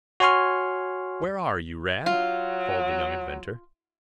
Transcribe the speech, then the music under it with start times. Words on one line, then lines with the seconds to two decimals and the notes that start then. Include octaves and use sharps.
"Where are you, Rad?" called the young inventor.
0.20 F#4 C#5 G#5 C6 C#6 F6
2.06 F#3 F4